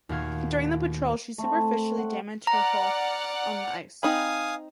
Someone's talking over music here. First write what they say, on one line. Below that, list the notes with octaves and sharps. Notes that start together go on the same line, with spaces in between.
During the patrol she superficially damaged her hull on the ice.
D#2 A#2 A3 F#4 F5 G#6
A3 C4
F#5
D5 F#5 A#5 F6
C4 D#4 F5 G#5 B5 D#6